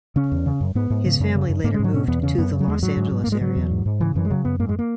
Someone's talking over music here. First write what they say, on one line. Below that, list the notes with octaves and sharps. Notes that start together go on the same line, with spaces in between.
His family later moved to the Los Angeles area.
C#3 C#4
E2
C#3
F#2
G#2 B3
G#2
C#3
F#2
C#3
F#2
G#2 A#3
G#3
G#2 F#3
B2 C#4
E2 B3
C#3 C#4
F#2 B3
C#3
F#3
E2 G#3
G#2 F#3
G#2
G#2
G#2 A#3
G#3
C#3 F#3
E2
G#2
G#2
C#3 E3
F#2 E3
G#3
C#3 F#3
F#2 B3
G#2 A#3
G#3
A#3